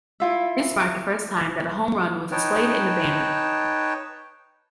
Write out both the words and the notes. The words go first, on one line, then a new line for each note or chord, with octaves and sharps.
This marked the first time that a home run was displayed in the banner.
E4 F4 E5
D#4 B4 C#5 G5 A5